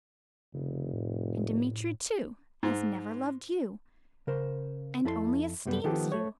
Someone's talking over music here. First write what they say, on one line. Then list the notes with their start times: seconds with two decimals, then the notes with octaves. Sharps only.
And Dmitri, too, has never loved you ... and only esteems you....
0.54 F1 C#3
0.92 A2
2.63 G#2
4.27 C#3 A#4 C5
5.05 F2 E4 A4 A#4 C6
5.65 C2 F#2 G3 B3
5.84 D#3 F3 B3 G4 A4
6.12 A3 C#5